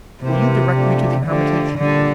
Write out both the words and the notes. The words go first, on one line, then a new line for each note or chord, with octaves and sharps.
'Will you direct me to the Hermitage?
C3 E3 A#3 E4 G4 C5
F3 A3 D4 G4
D3 F3 A3 D4 G4
A#2 D3 G3 D4